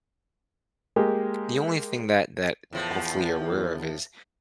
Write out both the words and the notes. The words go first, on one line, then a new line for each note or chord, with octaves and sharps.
the only thing that that, hopefully, you're aware of is
G#3 A#3 G4
E2 A2 F3